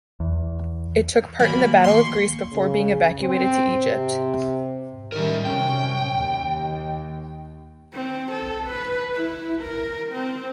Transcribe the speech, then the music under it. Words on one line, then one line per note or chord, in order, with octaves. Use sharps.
It took part in the Battle of Greece before being evacuated to Egypt.
E2
D#3 F#3 A#3 G4 G#5 B5
D#3 A#3 C6 C#6
C#3
C4
C3
A2 D#3 G3 A#4 E5
F#2 C3 C#4 G5
D#2
C4
A4
B4
E4
A#4
C4